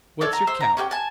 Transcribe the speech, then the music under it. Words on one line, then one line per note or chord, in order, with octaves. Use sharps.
"What's your count?"
A4 C#5 D5
A#5
C5 E6
A#5
C#4 G4 A4 G5
G#5 A5